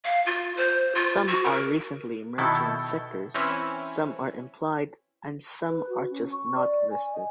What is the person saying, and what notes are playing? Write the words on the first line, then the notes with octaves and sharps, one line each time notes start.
Some are recently emerging sectors, some are implied and some are just not listed.
F5
F4
C5
F4
F#4
A#4
B2 D#3 E4 A4 G6 C#7
E3 C4 C#4 E4
B4
F#4
C#4
C#6
D5
G#5
D#5